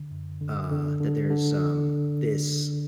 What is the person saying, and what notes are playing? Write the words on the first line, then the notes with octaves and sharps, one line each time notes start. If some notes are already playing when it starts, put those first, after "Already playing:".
uh, that there's, um, this
Already playing: D3
F#2
D3
D3
D3
D3